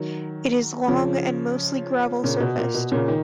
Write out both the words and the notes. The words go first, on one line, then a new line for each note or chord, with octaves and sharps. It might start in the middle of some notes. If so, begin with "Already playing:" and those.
It is long and mostly gravel-surfaced.
Already playing: D#3 F#3
C#3 F3
A#2 C#3
B2
A#2
B2
A#2 C#3
D#3